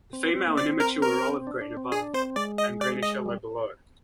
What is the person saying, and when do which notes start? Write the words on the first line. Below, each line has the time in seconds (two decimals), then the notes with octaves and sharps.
The female and immature are olive green above and greenish yellow below.
0.13 C4
0.35 C4
0.47 A#3
0.57 C4 D5
0.80 A#4
1.02 A#4
1.47 D4
1.61 D4
1.77 C4
1.92 D4 G#4
2.14 C4 C5
2.36 G#3 D5
2.58 D#5
2.81 D5
3.03 D#5
3.26 G3